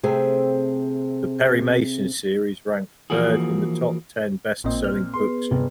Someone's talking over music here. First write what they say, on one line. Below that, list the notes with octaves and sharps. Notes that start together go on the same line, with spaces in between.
The Perry Mason series ranks third in the top ten best selling book series.
C3 A3 C4 G#4 C5 G5
E3 F3 A#3 F#4 G#4
A1 A#2 C4 D#5
F6
B3 G#4 B4 C6
G1 C3